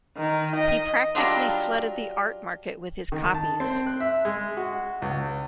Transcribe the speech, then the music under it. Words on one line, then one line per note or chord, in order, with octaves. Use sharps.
He practically flooded the art market with his copies.
D#3
D#5
F#3 G3 D4 F4
D#3
A5
C4
F#6
E5
G#3
F#4
C#2